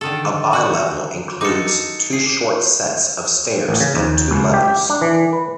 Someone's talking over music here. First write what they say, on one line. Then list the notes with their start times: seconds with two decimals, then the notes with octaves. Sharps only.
A bi-level includes two short sets of stairs and two levels.
0.01 D3 D#3 A4
0.53 F#4
1.41 D#4 A4 D6 C#7
2.13 G#4 C7
3.69 A1
3.80 C#3
3.95 D#2
4.31 C#2
4.54 G4
4.90 D4
5.01 E3
5.33 B4